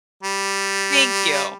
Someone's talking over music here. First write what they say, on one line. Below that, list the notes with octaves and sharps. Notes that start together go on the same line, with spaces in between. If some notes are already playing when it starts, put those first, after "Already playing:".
Thank you.
G3